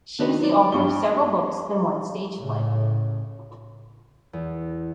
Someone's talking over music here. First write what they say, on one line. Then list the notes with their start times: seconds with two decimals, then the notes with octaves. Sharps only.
She was the author of several books and one stage play.
0.19 D#3 D4 D#4 F#4 B4
0.39 F#3 D5
0.72 G2 G3 C#6 G7
2.39 A2 C#3
4.33 E2